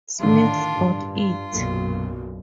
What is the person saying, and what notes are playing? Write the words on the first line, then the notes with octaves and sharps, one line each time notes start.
Smith's got it.
A2 D3 D#3 D4 F4
G2
F4
B1 F#2 A#2